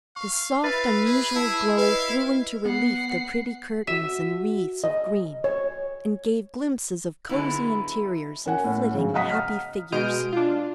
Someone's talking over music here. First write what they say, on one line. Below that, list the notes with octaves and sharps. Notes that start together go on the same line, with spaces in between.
The soft, unusual glow threw into relief the pretty curtains and wreaths of green, and gave glimpses of cosy interiors and flitting happy figures.
F5 C#6
E4 B4 F5 A6
G#4
E4 E5 A5
B4 D#5 F5
B3 F#5 C7
F#4 E5
D#5
C#5
D3 F#3 G#3 B3 D#4 E4
C#4 A#4 F#5 G#5
A2 C#4
G#2 C#3 F#3
D#5 F5 F#5 A#5 D#6 B6
F6
B2 G#3 D#6 F6 G6 D7
D4 F4